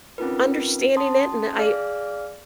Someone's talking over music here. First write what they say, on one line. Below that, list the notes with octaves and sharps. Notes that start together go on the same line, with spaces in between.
Understanding it and I
C4 C#4 D#4 F4 A#4 B4
C#4 A5 C6 D#6
G#4 D5 F5 F6